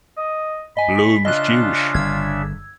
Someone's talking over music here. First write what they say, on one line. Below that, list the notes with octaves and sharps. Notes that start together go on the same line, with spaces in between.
Bloom is Jewish.
D#5
D#5 G#5 B5
C#3 D4 F4 D#5 E5 F#6
G1 E6 G#6